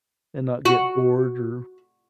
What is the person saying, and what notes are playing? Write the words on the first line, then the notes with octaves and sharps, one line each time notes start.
And not get bored or
F#4